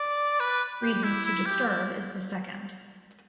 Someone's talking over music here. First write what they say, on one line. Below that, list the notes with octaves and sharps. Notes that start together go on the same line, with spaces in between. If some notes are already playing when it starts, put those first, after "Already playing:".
"Reasons to Disturb" is the second.
Already playing: D5
B4
G4
E4
E4
G4